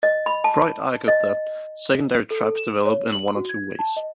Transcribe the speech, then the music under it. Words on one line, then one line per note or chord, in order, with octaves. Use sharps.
Fried argued that secondary tribes develop in one of two ways.
D#5
B5
A5
D#5
A4
A4
E7
C#5
F#7
F#4
G#6
A5
D#5